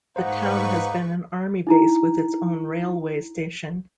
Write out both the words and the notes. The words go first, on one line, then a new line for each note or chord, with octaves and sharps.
The town has been an army base with its own railway station.
G#2 A#3 D#4 B4 C5 F#5 A#5 C#6
D#4 E4 A#5